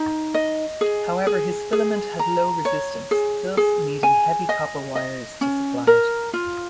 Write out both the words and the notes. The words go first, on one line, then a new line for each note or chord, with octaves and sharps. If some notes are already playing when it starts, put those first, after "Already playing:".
However, his filament had low resistance, thus needing heavy copper wires to supply it.
Already playing: D#4
D#5
G#4
G#4
G#4
A#5
C#5
G#4
G#4
G#5
D#5
D#5
C#4
A#4
F4